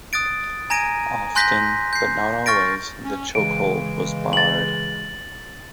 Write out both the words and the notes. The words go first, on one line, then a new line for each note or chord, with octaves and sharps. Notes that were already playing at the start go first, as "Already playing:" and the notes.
Often, but not always, the chokehold was barred.
D#6 F#6 A6 D7
G#5 A#5 G#6 A#6 D7 D#7
G#5 C6 F#6 G6 A#6 B6
G6 C7
C#6 F6 A6 A#6 D7
C#4
C#3 E3 G#3 D7
A6 F#7